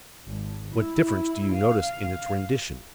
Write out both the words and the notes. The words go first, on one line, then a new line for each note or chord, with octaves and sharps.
What difference do you notice in its rendition?
G#1
E4
F5